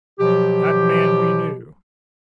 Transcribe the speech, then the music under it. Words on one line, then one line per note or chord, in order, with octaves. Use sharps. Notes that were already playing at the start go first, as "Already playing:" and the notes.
That man we knew.
B2 F3 F#3 G4